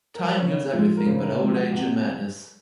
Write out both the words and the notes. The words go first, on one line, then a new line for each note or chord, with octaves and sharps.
Time heals everything but old age and madness.
A#4
C5
C#3 C#5
F3 G#3
A#4
C#3 C5
A#4
F3 G#3 C5
F#5
C3 F#5